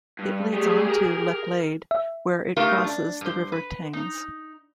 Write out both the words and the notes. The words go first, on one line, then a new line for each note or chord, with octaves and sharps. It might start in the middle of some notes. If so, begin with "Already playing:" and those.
It leads on to Lechlade, where it crosses the River Thames.
G2
G3 A3 G4 G#4
A#4 A#5
E5
A3 D#4 F4 G4 A#4
D4
G2 C5
B4
D#4